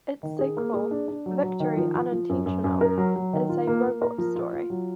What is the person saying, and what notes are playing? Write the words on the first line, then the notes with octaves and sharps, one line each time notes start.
Its sequel, "Victory Unintentional", is a robot story.
D#3
G#4
A#3
G#4
D4
D4
F#3
F#3
D#3
F3
F3
F3
F#2
F#2
F#2
A#4
F#3
F#3
D#3
F4
A#3
A#3
A#4
F3
F4
F4
F#3